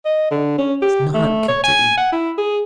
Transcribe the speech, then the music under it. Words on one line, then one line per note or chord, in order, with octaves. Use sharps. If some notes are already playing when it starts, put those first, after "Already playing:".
"It's not good to eat."
D#5
D3
C#4
G4
A3
C#5
G#5
F#5
E4
G#4